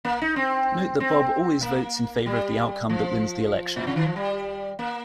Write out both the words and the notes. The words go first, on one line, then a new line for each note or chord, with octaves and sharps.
Note that Bob always votes in favor of the outcome that wins the election.
A#3
D#4
C4
C4
A#3
G3
F3
A#2
C3
D#3
F3
G3
A#3